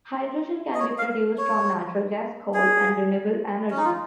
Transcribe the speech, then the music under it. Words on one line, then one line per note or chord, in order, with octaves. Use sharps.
Hydrogen can be produced from natural gas, coal and renewable energy.
D#5
C#5
F5
C#5
G#4
C#4
D#4
F4